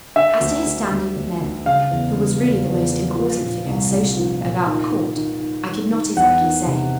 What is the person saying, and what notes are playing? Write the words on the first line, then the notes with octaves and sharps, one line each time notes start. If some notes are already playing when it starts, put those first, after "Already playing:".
As to his standing with Mary, who was really the most important figure, socially, about the court, I could not exactly say.
D3 E5
D2
D3
D2
D2
D2
C#3 F5
E2
C#3
E2
E2
F3
F3
A#2
C2
C2
F3
A#2
D#3
D#3
D#3
D#3
D#3
D#3
E2 F#5
D#3
C3